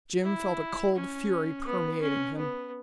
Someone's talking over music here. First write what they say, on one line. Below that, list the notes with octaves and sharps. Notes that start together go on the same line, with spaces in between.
Jim felt a cold fury permeating him.
E4
C#4
B3
C#4
B3